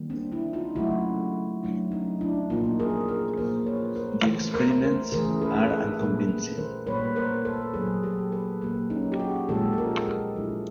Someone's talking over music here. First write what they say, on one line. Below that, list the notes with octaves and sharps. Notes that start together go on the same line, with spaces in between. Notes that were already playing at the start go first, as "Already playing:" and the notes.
The experiments are unconvincing.
Already playing: D#3 G3 A#3
C4 D4
D4 E4
D#4 F4
C#3 F#3 A3 E4 F#4
C#3 F#3 A3 D4 E4
C#4 D#4
D4 E4
A#2 F3 A#3 D#4 F4
G#4 A#4
G#4 A#4
A#2 F3 A#3 A#4 C5
B4 C#5
A#4 C5
C#3 E3 A3 A4 B4
A#4 C5
A#4 C5
C#3 E3 A3 G#4 A#4
A4 B4
A4 B4
A#2 G3 A#3 G#4 A#4
A4 B4
A#4 C5
A#2 G3 A#3 B4 C#5
A#4 C5
A4 B4
A#2 F#3 A#3 F#4 G#4
G4 A4
A4 B4
A#2 F#3 A#3 G4 A4
C#4 D#4
G4
F#4 G#4
A#2 F3 G#3 G4 A4
A4
G#4 A#4
G4 A4
A#2 F3 G#3 D4 E4